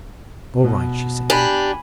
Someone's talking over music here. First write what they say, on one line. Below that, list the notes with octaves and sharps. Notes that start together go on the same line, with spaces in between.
"All right," she said.
B2
D4 G4 G#5 B5